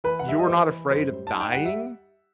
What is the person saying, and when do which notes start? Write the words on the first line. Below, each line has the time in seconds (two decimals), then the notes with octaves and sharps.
you're not afraid of dying,
0.04 E3 B4
0.19 F#5
0.26 G3 E5
0.39 D#5
0.47 E3 C5
0.69 E3
0.90 F#2 C5
1.12 G3
1.27 A5
1.34 D#4
1.40 G5
1.52 G3 F#5
1.65 E5